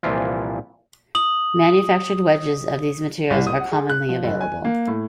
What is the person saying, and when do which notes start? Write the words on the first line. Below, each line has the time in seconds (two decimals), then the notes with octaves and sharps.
Manufactured wedges of these materials are commonly available.
0.03 C2 A#2 E3 F3 E4 F4
1.15 D#6 F#7
3.30 C2
3.47 D#6
3.60 F#5
3.71 G#4
3.89 F#6
4.09 F3
4.24 F#1
4.41 G#5
4.65 A#3
4.87 A2